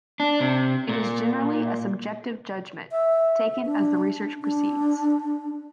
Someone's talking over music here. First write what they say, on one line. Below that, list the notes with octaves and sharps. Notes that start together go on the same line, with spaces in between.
It is generally a subjective judgment, taken as the research proceeds.
D4
C3
A#2
E5
D4
D4